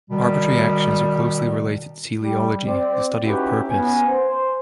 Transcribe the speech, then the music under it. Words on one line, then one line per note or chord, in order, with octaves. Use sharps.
Arbitrary actions are closely related to teleology, the study of purpose.
B2 D#3 G3
G3
C4 D5
C#4 D#4 E4 F#4 G4 B4
B3 C#4 G#5
C5